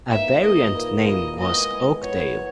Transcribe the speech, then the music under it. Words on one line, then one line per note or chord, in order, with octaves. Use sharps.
A variant name was Oakdale.
E3 A#3 D#4 E5
E3 A#3 D#4 D#5
A#2 A#3 E4
A#2 A#3 E4 D#5
G#3 B3 E4 D#5
G#3 B3 E4
F#3 B3 F#4 B4 C#5
F#3 B3 F#4